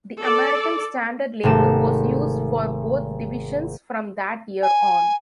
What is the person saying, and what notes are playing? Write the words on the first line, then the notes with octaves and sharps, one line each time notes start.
The American Standard label was used for both divisions from that year on.
A4 D5
G#1 C3 A3 E7
G#5